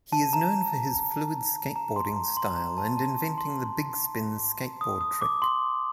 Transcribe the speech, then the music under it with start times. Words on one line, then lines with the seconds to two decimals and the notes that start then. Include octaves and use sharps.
He is known for his fluid skateboarding style and inventing the "Bigspin" skateboard trick.
0.12 A5
0.33 A#5
1.76 A#5
1.96 C6
2.16 A#5
2.37 C6
2.57 A#5
2.78 A5
2.98 A5
3.38 C6
4.81 D#6
5.01 D#6
5.22 D6
5.42 C6